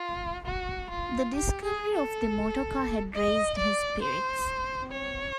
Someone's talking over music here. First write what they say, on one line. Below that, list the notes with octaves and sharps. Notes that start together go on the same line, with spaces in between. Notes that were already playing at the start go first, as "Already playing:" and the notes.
The discovery of the motorcar had raised his spirits.
Already playing: F4
F#4
F4
G4
G#4
A4
D#5
D5
C5
C#5